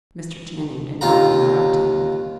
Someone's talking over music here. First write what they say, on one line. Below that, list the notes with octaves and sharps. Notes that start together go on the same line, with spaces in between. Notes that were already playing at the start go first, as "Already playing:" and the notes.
Mr. Channing did not interrupt him.
D#2 F4 A#5